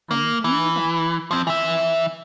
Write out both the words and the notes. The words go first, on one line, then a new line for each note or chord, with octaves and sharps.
I never knew that.
A#3
E3
F3 C4
E3 E5